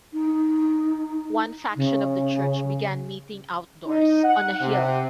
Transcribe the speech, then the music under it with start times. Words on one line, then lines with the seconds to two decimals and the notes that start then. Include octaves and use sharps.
One faction of the church began meeting outdoors, on a hill.
0.13 D#4
1.75 C#3
3.87 D#4
4.23 F#5
4.61 C3